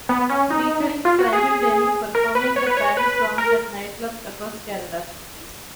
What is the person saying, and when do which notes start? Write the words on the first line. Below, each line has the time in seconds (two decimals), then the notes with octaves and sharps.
Featuring Simone Denny, performing the band's songs at nightclubs across Canada.
0.09 B3
0.30 C#4
0.50 D#4
1.05 F4
1.19 F#4
1.33 G#4
2.15 A#4
2.35 B4
2.56 C#5
2.67 B4
2.77 C#5
2.97 B4
3.38 A#4